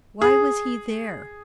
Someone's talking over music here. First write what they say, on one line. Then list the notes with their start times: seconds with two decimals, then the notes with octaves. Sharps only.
Why was he there?
0.22 G#4